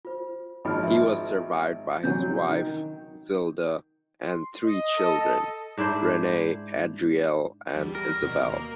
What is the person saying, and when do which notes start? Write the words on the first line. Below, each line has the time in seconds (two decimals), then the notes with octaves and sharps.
He was survived by his wife, Zilda, and three children: Rene, Adrielle and Isabel.
0.05 F4 C5
0.65 G#1 F3 B5 F6
0.83 B4 E5
2.03 C3 E3 F#3 G6
2.49 D#3
4.26 C6
4.63 D#5
4.98 A4
5.77 G#2 D4 E4 C5
7.76 E2 G3
7.95 A#4
8.23 D#2 B2
8.50 A#3 A#5